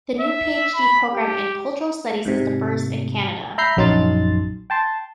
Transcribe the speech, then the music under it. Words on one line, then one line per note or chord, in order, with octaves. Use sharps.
The new Ph.D Program in Cultural Studies is the first in Canada.
E5
B5
G4
G#2 C3
E5 A#5 B5 G6 C7
A#1 F#2 F#3 D#4 C6 A6
G5 A5 C6